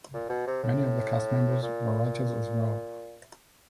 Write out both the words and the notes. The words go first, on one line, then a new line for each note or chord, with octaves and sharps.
Many of the cast members were writers as well.
A#2
B2
C3
A2
A#2